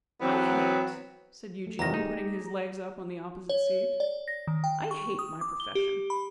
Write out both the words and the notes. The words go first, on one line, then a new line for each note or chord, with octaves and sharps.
'I hate,' said Eugene, putting his legs up on the opposite seat, 'I hate my profession.'
E3 F#3 B3 C4
A3
E2 C3 D#3 A#5 A#6
G3 D#4 G4 G#4
C#5
D5
A#6
D#3
G5
C#6
D#6
D6
G7
G4
B5